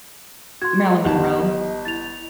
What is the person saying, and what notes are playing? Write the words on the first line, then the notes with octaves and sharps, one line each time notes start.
Marilyn Monroe.
F#4 C6 G#6
G#3 F4 D#5
G1 G4 F#5 A5
E4 A6 F7